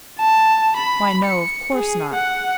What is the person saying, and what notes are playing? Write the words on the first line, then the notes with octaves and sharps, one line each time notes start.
'Why no, of course not.'
A5
B5
C#7
G#4
F#5